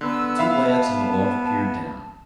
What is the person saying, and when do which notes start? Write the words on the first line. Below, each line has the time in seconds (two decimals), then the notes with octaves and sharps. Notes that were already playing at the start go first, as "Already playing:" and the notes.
The two lads in the loft peered down.
0.01 D3 B3 E6
0.39 E5 F5 B5
0.61 A5